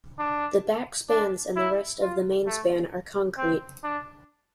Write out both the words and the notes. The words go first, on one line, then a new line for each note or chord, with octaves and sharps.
The back spans and the rest of the main span are concrete.
D4
D4
E4
F4
A3
C4
D4